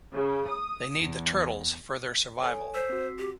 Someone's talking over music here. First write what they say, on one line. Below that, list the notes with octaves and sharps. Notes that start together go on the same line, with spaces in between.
They need the turtles for their survival.
C#3
D#6
E2
A4 C#5 G#5
C5 E6 B6 C7
C4 F#4
G4